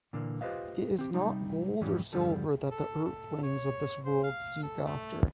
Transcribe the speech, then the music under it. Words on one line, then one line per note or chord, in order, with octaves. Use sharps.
It is not gold or silver that the earthlings of this world seek after.
A#2 D3 E3 A#3
F4 G4 B4 C5 D#5 F5
C4 G4
C3 G3 D#4
F2 G#2 E3 F#3 G3 C#4
E2 G2 D3 F3 G3 A4
A4
A4
C#5
C5
F5
A4
A3